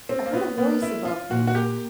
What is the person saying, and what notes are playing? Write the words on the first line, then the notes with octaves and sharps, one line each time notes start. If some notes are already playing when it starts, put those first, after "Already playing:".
I heard a voice above me.
C4 C#4
A#3
B3 C#4
A#3 B3
C#4 E4
C#4 F4
A#2 F#4
F#4
A#3 G4